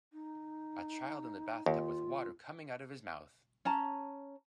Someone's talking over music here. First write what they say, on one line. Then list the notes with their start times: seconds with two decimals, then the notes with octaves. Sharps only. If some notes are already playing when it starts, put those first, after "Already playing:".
A child in the bathtub with water coming out of his mouth.
0.13 D#4
1.66 D#2 F4
3.65 C#4 A5 A#5